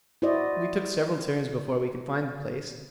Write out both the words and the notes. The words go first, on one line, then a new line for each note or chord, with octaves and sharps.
We took several turns before we could find the place.
E4 F#4 C5 D5 D#5